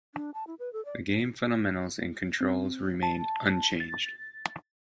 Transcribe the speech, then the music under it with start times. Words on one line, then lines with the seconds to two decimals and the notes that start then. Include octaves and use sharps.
The game fundamentals and controls remained unchanged.
0.15 D4
0.34 A5
0.47 E4
0.59 B4
0.73 A4
0.85 D5
2.41 C4
3.03 A5
3.80 A6